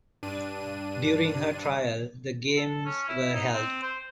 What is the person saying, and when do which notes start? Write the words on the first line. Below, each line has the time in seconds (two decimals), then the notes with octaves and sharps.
During her trial, the Games were held.
0.23 G2 D4 D#7
2.57 A4
2.85 C#4
3.09 E4
3.34 D#4
3.54 C4
3.83 C5